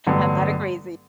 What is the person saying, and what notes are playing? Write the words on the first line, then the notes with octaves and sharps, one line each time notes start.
I'm not a crazy
A1 G2 D3 F#3 B3